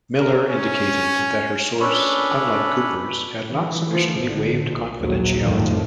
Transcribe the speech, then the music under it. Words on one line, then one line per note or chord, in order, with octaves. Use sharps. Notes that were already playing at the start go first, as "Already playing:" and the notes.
Miller indicated that her source, unlike Cooper's, had not sufficiently waived confidentiality.
A#4
C#4
C#4 D4 A4 B4 C#5 B5
E3
F3 A3
A1 D3
A#1
A#1 D#2 F#3
G1 F2 A2 D#3 F3